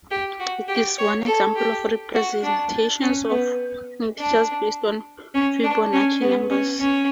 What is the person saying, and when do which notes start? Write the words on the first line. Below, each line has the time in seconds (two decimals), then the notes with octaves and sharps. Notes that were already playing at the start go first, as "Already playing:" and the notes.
It is one example of representations of integers based on Fibonacci numbers.
0.11 G4
0.40 F#4
0.68 G4
0.98 C#5
1.27 A4
1.56 G4
2.14 F#4
2.43 D4
3.02 C#4
3.30 B3
4.18 D4
5.34 C#4
5.63 D4
5.93 C#4
6.21 B3
6.50 C#4
6.80 C#4